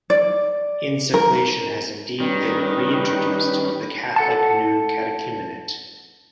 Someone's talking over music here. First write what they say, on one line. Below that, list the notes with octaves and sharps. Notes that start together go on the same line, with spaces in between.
Insufflation has indeed been re-introduced into the Catholic new catechumenate.
D5
A#4
D#3 G3 C#4 D4 B4
A4 F#5 A5